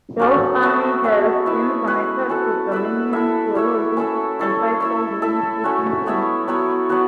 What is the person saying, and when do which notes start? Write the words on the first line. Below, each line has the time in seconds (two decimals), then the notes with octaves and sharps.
Joel's Army has been connected to Dominion Theology and Fivefold ministry thinking.
0.20 F#3 A3 C#4 A4
0.62 B3 F#4 A4 E5
1.04 C#4 F#4 C#5 E5
1.46 B3 E4 B4 E5
1.87 C#4 F#4 B4
2.30 C#4 F#4 A4
2.72 E4 B4 E5
3.13 E4 A4 E5
3.55 E4 C#5 E5
3.97 C#4 E4 A4 E5
4.39 E4 A4 C#5
4.80 E4 C#5 E5
5.22 E4 A4 E5
5.64 A3 C#4 F#4
6.06 B3 E4 C#5 E5
6.48 F#3 B3 E4 C#5
6.89 F#3 B3 F#4